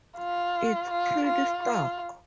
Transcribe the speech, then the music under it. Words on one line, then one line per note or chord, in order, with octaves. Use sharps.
It's pretty stark.
F4
F4
F4
F4